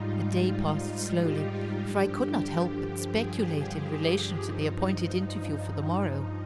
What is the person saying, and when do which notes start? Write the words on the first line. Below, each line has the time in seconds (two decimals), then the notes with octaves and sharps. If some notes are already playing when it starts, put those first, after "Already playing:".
The day passed slowly, for I could not help but speculate in relation to the appointed interview for the morrow.
Already playing: G#2 G3 D#4 F4
0.50 F4
1.16 G4
1.81 G2 D3 F3
3.11 G#4
3.44 G4
3.76 G4
4.41 G2 F3 D#4
5.07 D#4